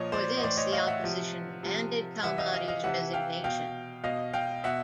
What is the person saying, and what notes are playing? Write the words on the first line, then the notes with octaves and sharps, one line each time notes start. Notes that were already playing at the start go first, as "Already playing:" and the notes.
For this, the opposition demanded Kalmadi's resignation.
Already playing: A#2 F3 C#5 D#5
C5 D5
D#5
A2 E3 C5 D5
C#5 D#5
D#5 F5
E5 F#5
C3 F3
C3 F3
C3 E3 E5 F#5
D#5 F5
D#5 F5
D#5 F5
C3 E3 E5 F#5
F5 G5
B2 F5 G5
B2 D#5 F5
F5 G5
B2 E5 F#5